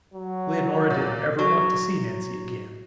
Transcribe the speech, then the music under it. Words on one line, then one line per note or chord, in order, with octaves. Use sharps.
Leonora didn't ever want to see Nancy again.
F#3
A#2
F#3